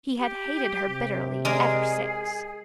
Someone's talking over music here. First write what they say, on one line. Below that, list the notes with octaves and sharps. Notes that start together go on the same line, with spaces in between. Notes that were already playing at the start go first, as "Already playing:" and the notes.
He had hated her bitterly ever since.
G4
C3
G#3 G#4 A#4 D5